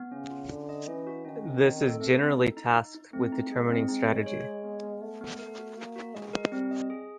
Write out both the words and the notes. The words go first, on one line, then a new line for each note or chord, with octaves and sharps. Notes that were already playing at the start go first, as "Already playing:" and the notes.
This is generally tasked with determining strategy.
Already playing: B3
C#3 C#4
F4
D3 C#4
D#5
E3 C#4
F#4
D#3 C#4
C#4
D#3 C4
A4
A3 C4
A4
D#4
D#4
D#4
D#4
A3 C4
D#4
G#3 G#4
C4
G#3 D#4
C#5
C#5
C#5
B3
B3
A3 B3
B3
A3 A#4
F#4
A#3 F#4
F#4
G#3 D#5
A#4
G3 C4
D#5
G#4